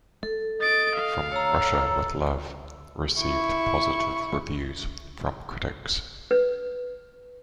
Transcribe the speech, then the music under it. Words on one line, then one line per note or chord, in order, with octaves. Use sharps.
"From Russia With Love" received positive reviews from critics.
A4
D#5 A6 D7
F5
A4 C#5 A#5
E4 C#6
B4